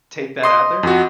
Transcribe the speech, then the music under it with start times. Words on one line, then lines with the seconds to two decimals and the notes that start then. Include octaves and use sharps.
Take that out there?
0.43 D#5 C6
0.83 F2 F#4